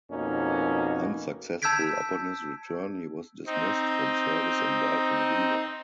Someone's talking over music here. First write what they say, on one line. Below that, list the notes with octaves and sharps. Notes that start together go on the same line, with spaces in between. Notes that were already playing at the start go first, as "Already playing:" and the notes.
Unsuccessful, upon his return he was dismissed from service and died in Riga.
F2 B2 A#3 C#4 D#4
A5 E6 G6 G#6 B6 D7
C4 D#4